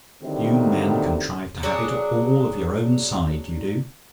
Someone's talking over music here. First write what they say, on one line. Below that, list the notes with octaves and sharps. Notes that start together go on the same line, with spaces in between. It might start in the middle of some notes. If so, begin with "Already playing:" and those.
You men contrive to have it all of your own side, you do.
A2 D3 D#3 F#3 G3 C4
F#3 D4 G#4